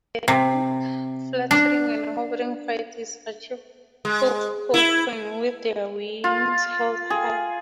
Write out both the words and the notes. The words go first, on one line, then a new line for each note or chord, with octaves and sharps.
Their unique fluttering and hovering flight is achieved often with their wings held high.
C3
D4
G#3
E4
F4
G#4